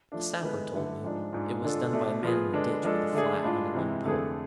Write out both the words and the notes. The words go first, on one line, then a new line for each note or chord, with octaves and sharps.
A sapper told me it was done by a man in a ditch with a flag on a long pole.
F3 A3 D4
D3 G#3 B3 E4 B4
D3 A3 E4 B4
G#2 F3 G#3 D4
G#2 G#3 D4 F4
D3 G#3 D4 F4 A4
B2 A3 D4
F3 B3 F4 G#4
D3 G#3 B3 D4
F3 G#3 D4 A4
D3 A3 D4 G#4
A2 G#3 D4 F4
C3 E3 G#3
F2 D3 A3 E4 G#4